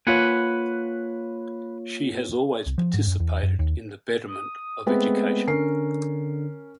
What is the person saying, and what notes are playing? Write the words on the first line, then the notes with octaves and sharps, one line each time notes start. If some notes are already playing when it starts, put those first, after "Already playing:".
She has always participated in the betterment of education.
A#3 F4 B4 C#5 F#5 G#5
C2
F3
G#2
F#2
E2
F#2
D#2
D#6
G#3 A3 B3 C4
D3 C#4 A#4 C7